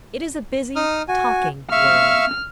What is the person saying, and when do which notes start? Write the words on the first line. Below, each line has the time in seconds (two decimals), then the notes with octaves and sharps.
It is a busy, talking world.
0.76 D#4 D#6 F6
1.08 F#4 G#5
1.71 E5 F5 C#6 F6